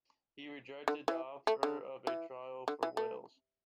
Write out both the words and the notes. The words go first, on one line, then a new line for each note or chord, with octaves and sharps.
He rejected the offer of a trial for Wales.
D3
E3
A3
D3
E3
D3
E3
A3